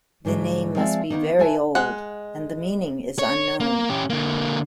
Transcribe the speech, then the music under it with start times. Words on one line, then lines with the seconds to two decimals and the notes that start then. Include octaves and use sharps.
The name must be very old and the meaning is unknown.
0.25 G#2 D3 F#3 G#3
0.76 F3 G#3 C4 F4 D5 E5
1.10 D#3 E3 A#3 B3 D#4
1.39 A4 B4 C#5 E5 G#5 A5
1.75 G#3 F#5
3.19 C#5
3.60 A#3
3.89 C#4 G4
4.10 D3 A#3